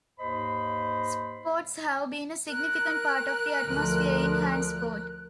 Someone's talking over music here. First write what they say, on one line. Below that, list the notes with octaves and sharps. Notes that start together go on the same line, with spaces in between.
Sports have been a significant part of the atmosphere in Hantsport.
D#2 G#2 C5 D#5 B5
A#4 F#6
D2 F3